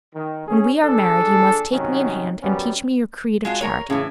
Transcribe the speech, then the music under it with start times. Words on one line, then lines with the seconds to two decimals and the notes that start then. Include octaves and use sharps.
When we are married you must take me in hand and teach me your creed of charity.
0.14 D#3
0.47 C#4 G#4
0.83 A#1 D4 G#4 A4
1.71 C3 D#3 F#3 C#4
2.41 F#2 G3 B3 C#4
3.45 G#3 F4 F#4
3.61 A#4 C#5
3.90 A2 C#3 E3